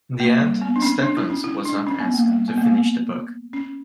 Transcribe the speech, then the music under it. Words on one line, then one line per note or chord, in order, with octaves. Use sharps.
In the end, Stephens was not asked to finish the book.
A#3
G3
B3
D4
C#4
D4
E4
C#4
E4
D4
C#4
B3
A#3
G3
B3
A#3
B3
C#4